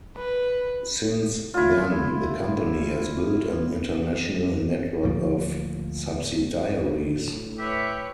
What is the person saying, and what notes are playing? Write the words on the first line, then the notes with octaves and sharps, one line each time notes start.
Since then the company has built an international network of subsidiaries.
B4
E4 F4
D2 A2 F3 A#3
A2
G4 B4 C#5 E5